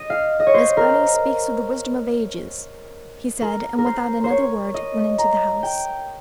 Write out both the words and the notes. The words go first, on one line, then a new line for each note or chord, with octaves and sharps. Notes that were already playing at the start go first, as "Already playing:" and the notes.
"Miss Burney speaks with the wisdom of ages," he said, and without another word went into the house.
Already playing: D#5
F5
D#5
C#5
C5
A#4
A#4
A#4
C5
C5
C#5
D#5
A#5
G5